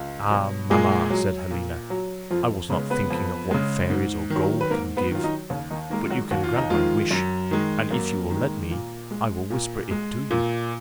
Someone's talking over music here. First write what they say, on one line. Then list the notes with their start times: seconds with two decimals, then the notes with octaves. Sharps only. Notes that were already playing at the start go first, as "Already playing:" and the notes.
"Ah, mamma," said Helena, "I was not thinking of what fairies or gold can give; but you can grant my wish, and if you will let me, I will whisper it to you."
Already playing: C#2
0.30 B2 F#3
0.71 A#2 G#3 G#4
1.10 F#3
1.50 A#2
1.90 F#3
2.30 F2 F3 F4
2.70 C#3 G#3 B3 B4
2.90 B3 B4
3.10 F2
3.51 C#3 G#3
3.90 G#2
4.30 D#3 F#3
4.61 B4
4.70 G#2 A#3 A#4
4.97 B3 B4
5.11 D#3
5.15 F#3 F4
5.24 D#3 D#4
5.50 D#2 C#3 C#4
5.70 D#3 D#4
5.90 D#3 G#3 A#3 A#4
6.04 F4
6.10 F#3 F#4
6.31 D#2 F#4
6.44 F4
6.56 D#4
6.70 D#3 F3 G#3 F4
7.11 F#2
7.51 D#3 G#3
7.91 F#2 A#3
8.31 D#3 G#3
8.71 A#2
9.11 G#3
9.50 A#2
9.91 G#3
10.31 A#2